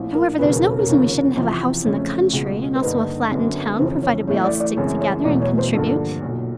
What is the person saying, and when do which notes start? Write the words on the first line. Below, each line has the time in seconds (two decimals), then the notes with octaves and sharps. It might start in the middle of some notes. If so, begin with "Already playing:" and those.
However, there's no reason we shouldn't have a house in the country and also a flat in town, provided we all stick together and contribute.
Already playing: A#1 A2 F3
0.15 A#4
0.39 E1 D#2 C#3 F#3 B4
0.53 A#4
0.66 A4
0.79 A#4
0.88 F1 D#2 C#3 F3
1.37 E2 C3 F3
1.84 F2 C#3 F3 A3 C#4
2.33 C#2 B2 G#3
2.76 C5
2.82 G2 D3 G3 A#3 D#4 B4
3.31 F#2 D3 F#3 B3
3.79 F1 E2 C#3 F3 C5
4.03 C#5
4.27 A2 E3 A3 C#5
4.45 D5
4.60 D5
4.76 F#2 C#3 E3 G#3 C4 C#5
5.01 C#5
5.24 E1 E2 B2 F#3 A3 D5
5.42 C#5
5.58 C5
5.74 G2 D3 F3 A#3 D4 A4
6.22 B1 A#2 F#3